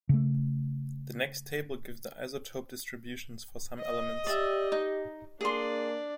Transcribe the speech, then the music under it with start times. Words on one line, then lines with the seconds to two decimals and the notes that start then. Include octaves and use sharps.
The next table gives the isotope distributions for some elements.
0.09 C#3 A3
3.79 D#5 D#6
4.27 G4 D5 E5
4.72 D#4
5.41 A#3 D4 G#4 D5 C6